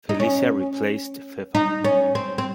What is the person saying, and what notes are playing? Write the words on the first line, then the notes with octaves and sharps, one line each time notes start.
Felicia replaced Fefa.
D#4
C#4
D#4
C#4
C4
C4